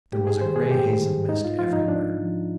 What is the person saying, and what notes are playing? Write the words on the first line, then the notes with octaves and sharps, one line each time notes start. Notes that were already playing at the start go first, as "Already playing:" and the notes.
There was a gray haze of mist everywhere.
G#2 G4
G#4
D#3 G3 C5
G#4
G#2 G4
D#3 G3
G#2 D#4
F4
F3 F4
D#4
G#2 D4
F3